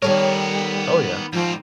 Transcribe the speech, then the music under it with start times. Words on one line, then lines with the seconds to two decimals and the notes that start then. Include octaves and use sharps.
Oh, yeah.
0.02 D#3 G3 B3 A4 A#4 C#5
1.33 G#2 F3 C4